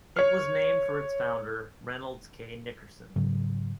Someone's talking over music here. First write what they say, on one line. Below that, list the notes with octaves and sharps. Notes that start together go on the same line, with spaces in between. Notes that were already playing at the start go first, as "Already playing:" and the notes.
It was named for its founder, Reynolds K. Nickerson.
C#5 F6
G#2 C#3 F#3